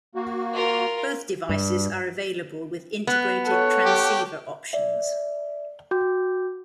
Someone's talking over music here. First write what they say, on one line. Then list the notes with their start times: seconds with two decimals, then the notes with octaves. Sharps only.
Both devices are available with integrated transceiver options.
0.15 A#3 F#4
0.53 F4 A#4
1.49 G2
3.07 B3
3.46 A4 C#5 F#5
3.84 G4
4.73 D5 E5
5.91 F#4 G5 D6 G6